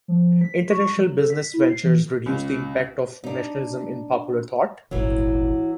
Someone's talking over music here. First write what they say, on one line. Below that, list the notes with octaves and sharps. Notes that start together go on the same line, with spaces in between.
International business ventures reduced the impact of nationalism in popular thought.
F3
B6
C#6
F#3
A4
B6
E4
C7
E3
C#2
D4 D#4
D#1 G#1 E3 F#3